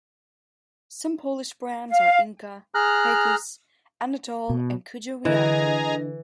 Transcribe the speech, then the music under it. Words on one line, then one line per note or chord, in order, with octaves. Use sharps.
Some Polish brands are Inka, Krakus, Anatol and Kujawianka.
F5
G#4 A#5 F6 F#6
B2
D3 E3 G#4 D#5 G#5 A#5